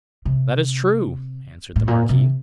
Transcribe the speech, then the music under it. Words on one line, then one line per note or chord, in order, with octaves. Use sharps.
"That is true," answered the marquis.
C3
A2
A#2
C3